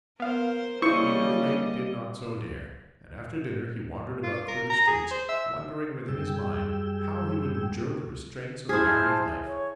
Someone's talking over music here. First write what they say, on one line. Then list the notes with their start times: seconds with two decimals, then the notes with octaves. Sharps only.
He at any rate did not so dare;--and after dinner he wandered about through the streets, wondering within his mind how he would endure the restraints of married life.
0.20 B3 A#4 C5 F5
0.82 C#3 G3 A#3 E4 C5 D#5 C#6
4.24 F4
4.48 A#4
4.70 A#5
4.87 G#4
5.11 C5
5.29 E5
6.08 F#2 G3 G#4 G5 E6
8.69 E4 G#4 C5 A5 F6
9.44 C#5